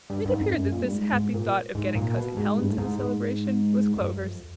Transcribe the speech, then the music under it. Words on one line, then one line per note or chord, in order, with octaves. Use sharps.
It appeared that this happy thought of getting Cousin Helen to the "Celebration," was Clover's.
G2
G2
G#2
F2
F#2
A#2
G2
G#2
G#2
A#2
G#2
A#2
B2
G#2
G2
A2
G#2
G#2
F#2
G2
F#2
F2